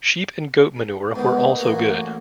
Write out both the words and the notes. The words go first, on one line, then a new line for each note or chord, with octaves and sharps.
Sheep and goat manure were also good.
G#2 D#3 B3
A1 A#3 F#4 G#5